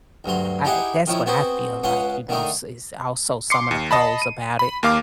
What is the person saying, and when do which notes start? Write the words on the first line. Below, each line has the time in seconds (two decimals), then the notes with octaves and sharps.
I that's what I feel like, you know, is also some of the pros about it.
0.24 D2 G2 F#3 C6
0.65 D#4 E4 G4 G#4 F#5 G#5
1.07 D#3 F3 C#4 E4
1.26 B3 C4 F#4 G#4 B4 C5
1.83 C#2 C#3 C#4 B4 F#5 C6
2.29 D3 D#3 A3 D4 D#4
3.50 C6 D6 C7 C#7
3.71 D#2
3.91 D#5 A5 B5
4.22 D#7
4.59 B5
4.83 D#2 A#3 F5 D6 F6